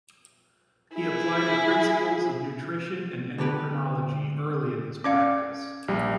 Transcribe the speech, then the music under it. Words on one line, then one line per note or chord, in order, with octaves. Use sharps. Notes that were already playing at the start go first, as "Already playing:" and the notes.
He applied the principles of nutrition and endocrinology early in his practice.
E4 G#4
D2 D3 B3 G4 B4
C#4 D5 F5 D6 G#6
A#1 G3